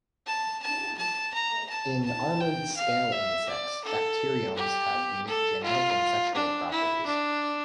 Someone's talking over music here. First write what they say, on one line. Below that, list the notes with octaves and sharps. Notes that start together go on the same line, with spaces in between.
In armored scale insects, bacteriomes have unique genetic and sexual properties.
A5
A5
A5
A#5
A5
A5
G5
F5
E5
D5
A4
G4
A4
F4
D4
E4
D4